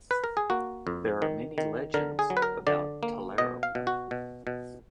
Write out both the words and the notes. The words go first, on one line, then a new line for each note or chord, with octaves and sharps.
There are many legends about Tellaro.
B4
A#4
G#4
A#3 F#4
F2
D#3
D#3
D3 A#4
G#4
F#3
B4
A#4
D3 D5
A#3
B2 D#5
F5
B2
F#4
B2
B2